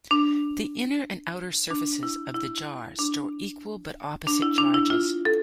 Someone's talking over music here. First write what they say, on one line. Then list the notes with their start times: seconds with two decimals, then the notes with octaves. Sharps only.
The inner and outer surfaces of the jar store equal but opposite charges.
0.11 D4
1.70 D4
2.03 E4
2.34 E4
2.99 D4
4.27 D4
4.42 E4
4.58 D4
4.74 E4
4.90 F4
5.25 A4